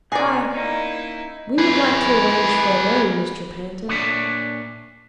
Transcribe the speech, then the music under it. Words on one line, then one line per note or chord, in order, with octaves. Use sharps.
"I--we would like to arrange for a loan, Mr. Pantin."
B2 D4 D#4 G#4 D5
A#3 C#4 D#4 E4
G#4 B4
A#2 D4 C#5 E5